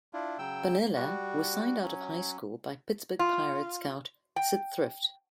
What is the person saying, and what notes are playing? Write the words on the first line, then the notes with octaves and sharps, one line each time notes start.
Bonilla was signed out of high school by Pittsburgh Pirates scout Syd Thrift.
D4 E4 F4
C#3 F#3 G5 E6
G3 F#4
F#3 C#4
F4
G5